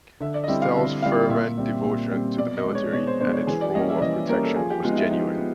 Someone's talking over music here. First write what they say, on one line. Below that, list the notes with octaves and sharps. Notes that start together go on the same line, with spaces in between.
Stelle's fervent devotion to the military and its role of protection, was genuine.
D3 E5
D5
D#5
G3 C4 E4 E5
F5
D3 E5
G3 C4 E4 F5
A#2 E5
G3 C4
A#2
G3 C4
B2 D5
D#5
G#3 B3 D4
C#5
B2 C#5
C5
G#3 B3 D4 C5
C#5
E3 G#4
D5
G3 A#3 C#4 D#5
E5
D5
E3 D#5
G3 A#3 C#4 A#4
A4
F3 G#4
G4
G#3 B3 F4
D#4
E4
F3 D#4
B3